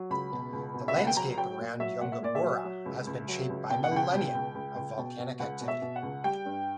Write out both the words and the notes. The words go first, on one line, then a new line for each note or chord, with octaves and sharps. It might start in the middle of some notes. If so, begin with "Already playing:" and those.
The landscape around Yungaburra has been shaped by millennia of volcanic activity.
Already playing: F#3
C#2 B5
B2
C#2
B2
E5
C#2 F#5
G5
F#3 A#5
F#3 G5
A#2
F#3 E5
A#2 F#5
E5
A#2 D5
E5
F#3
F#3
C#2
C#2
F#3
C#2
B2 G5
F#5
C#2 G5
B2
C#2
C#2
C#2
B2
B2
C#2 F#5
B2
E5
B2
F#5
C#2
G3 G5
G2